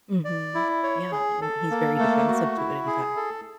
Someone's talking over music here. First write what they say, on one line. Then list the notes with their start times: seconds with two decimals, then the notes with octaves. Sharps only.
Mhm. Yeah. And he's very defensive to it, in fact,
0.24 D5
0.55 E4
0.83 C#5
1.12 G#4
1.42 A4
1.71 A#3
1.99 A3
2.28 F#4
2.57 E4
2.87 G#4
3.16 A4